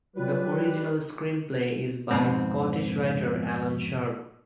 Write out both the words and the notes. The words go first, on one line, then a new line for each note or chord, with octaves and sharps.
The original screenplay is by Scottish writer Alan Sharp.
F#3 G3 F4 B4
F2 G#2 B2 C4